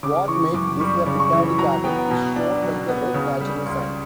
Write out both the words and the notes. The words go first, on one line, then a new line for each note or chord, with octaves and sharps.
What makes this a Picardy cadence is shown by the red natural sign.
C#3 D6
E3 C#6
F#2 D6
G3 C#6
C#3
C#6
E3
F#3 A#5
B3 G5
B2
D4
F#3
B3
C#3
G3
C#2